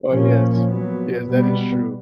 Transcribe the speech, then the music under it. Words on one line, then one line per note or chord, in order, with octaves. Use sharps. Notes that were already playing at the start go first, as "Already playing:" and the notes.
Oh, yes. Yes. That is true.
A#2 F3 A#3 C#4
A#2 F#3 B3
B2 G3 B3